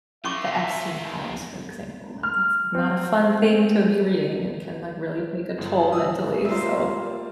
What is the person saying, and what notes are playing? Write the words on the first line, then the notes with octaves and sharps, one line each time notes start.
the Epstein Files, for example, like, that's not a fun thing to be reading and can, like, really take a toll mentally. So,
D#3 C#4 F4 E5 C#6 D6
F6
C4
G1
D#6 E6
G3 A#3 F4 C5 E5